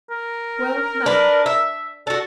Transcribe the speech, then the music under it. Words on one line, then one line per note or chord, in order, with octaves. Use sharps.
Well, none.
A#4
D4 B4
E5
D4 F#4 A4